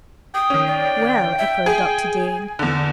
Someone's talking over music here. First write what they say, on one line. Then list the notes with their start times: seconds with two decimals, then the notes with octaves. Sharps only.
"Well," echoed Dr. Dean.
0.34 G5 D#6
0.50 D#3 C#4
0.67 D5
1.39 E5
1.66 G#4 G#5
2.59 E2 D3